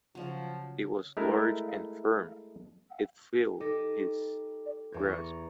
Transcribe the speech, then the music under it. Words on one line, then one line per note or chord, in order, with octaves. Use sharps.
It was large and firm; it filled his grasp.
C#3 F3 F#3
G#3 A3 E4 A#4
D#4 G4 A4 D#5
E2 G6 G#6
A#5 C#6